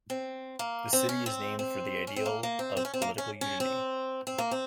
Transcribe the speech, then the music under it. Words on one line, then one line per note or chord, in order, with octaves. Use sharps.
The city is named for the ideal of political unity.
C4
A#3
C4
C#4
C4
C4
C#4
C4
A#3
A#3
C4
C4
C#4
C4
A#3
C#4
C#4
C4
C4
A#3
C4